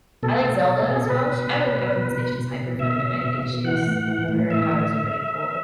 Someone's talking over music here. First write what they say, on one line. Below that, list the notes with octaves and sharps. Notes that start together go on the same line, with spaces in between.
I like Zelda as well. Sh I wouldn't I wouldn't say she's hyper feminine. I think she's her powers are really cool
B2 A4
B2
B2
B2 G#4
A4
B2 B4
B2
B2
B2
B2
B2
B2
B2
B2 E5
B2
B2
B2
E3 F#5
A2
E3
A2
E3 E5
A2